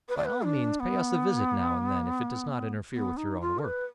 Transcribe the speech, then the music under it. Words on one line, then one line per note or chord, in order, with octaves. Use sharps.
By all means pay us a visit now and then, if it does not interfere with your own work.
B4
D5
B4
D4
B3
B3
D#4
F4
A#4
B4